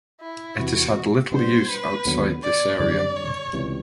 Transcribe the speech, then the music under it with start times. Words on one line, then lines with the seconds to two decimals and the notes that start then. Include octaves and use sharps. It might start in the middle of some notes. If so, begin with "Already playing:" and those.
It has had little use outside this area.
0.21 E4
0.58 E2 C3 E3 F#4
1.32 B2 G3 B3 D4 C5
1.68 B4
2.05 D#2 D3 F#3 B3
2.43 D5
2.79 F#2 D3 G3 C4 D5
3.16 C#5
3.53 C#2 C3 E3 G3